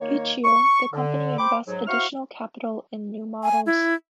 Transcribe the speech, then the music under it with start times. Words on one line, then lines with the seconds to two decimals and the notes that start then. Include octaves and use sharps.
Each year, the company invests additional capital in new models.
0.01 D#3 A#3 C#5
0.44 C#6
0.93 D3
1.39 C5 G5 B5 D6
1.67 G#2 F#3
1.87 E4 F#4 C5 F5 C#6 F6
3.43 G#5
3.66 E4